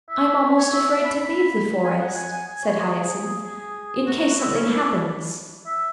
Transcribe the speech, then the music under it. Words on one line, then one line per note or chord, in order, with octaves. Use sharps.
"I'm almost afraid to leave the forest," said Hyacinth, "in case something happens."
E5
C#5
E5
E5
B5
B5
G#5
F#5
G#5
G#5
G#5
C#5
G#4
G#4
F#4
E4
C#4
E4
E5